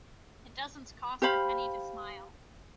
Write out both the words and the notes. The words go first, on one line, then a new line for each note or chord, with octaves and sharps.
It doesn't cost a penny to smile.
G4 C5 F5 B5